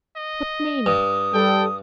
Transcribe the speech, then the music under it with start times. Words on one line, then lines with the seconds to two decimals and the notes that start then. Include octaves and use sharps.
"What name?"
0.16 D#5
0.86 G2 D#6
1.34 G3 A4 G5